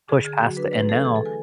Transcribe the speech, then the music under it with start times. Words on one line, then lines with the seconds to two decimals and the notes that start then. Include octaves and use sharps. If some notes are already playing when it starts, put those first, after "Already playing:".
push past it and now
0.09 D3 G#4
0.25 D3 G#4
0.41 F#3 F#4
0.57 D4 B4
0.73 A3 B4
0.89 A3 A4
1.05 E3 G#4
1.16 A4
1.25 G#5